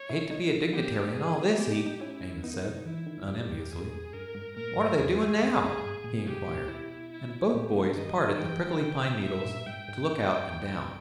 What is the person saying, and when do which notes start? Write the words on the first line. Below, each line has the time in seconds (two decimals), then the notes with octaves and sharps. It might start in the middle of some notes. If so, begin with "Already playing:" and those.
"Hate to be a dignitary in all this heat," Amos said, unenviously. "What are they doing now?" he enquired, and both boys parted the prickly pine needles to look out and down.
Already playing: C#5
0.09 E4
0.31 D#4
0.73 B3 G4
1.15 G#4
1.58 B3 G4
1.72 D#4
1.86 D#4
2.00 C#4 E4
2.43 B3 D#4
2.54 A#3
2.85 E3 E4
3.06 D#3
3.28 G2 G4
3.50 E2
3.71 G#4
4.13 G2 A#4
4.34 G#2
4.56 A#2 A#4
4.77 G#2
4.98 E2 G#4
5.19 G2
5.41 E2
5.62 G2
5.83 G#2
6.04 A#2
6.17 B2
6.25 C#3 G4
6.48 A#2
6.58 B2
6.68 E4
7.12 E4
7.54 A#2 G4
7.75 B2
7.82 C#3
7.96 D#3 D#5
8.18 G3
8.30 D#3
8.39 E3 G5
8.81 D#3 G5
9.03 B2
9.23 B2 E5
9.45 A#2
9.66 G#2 G5
9.88 G#2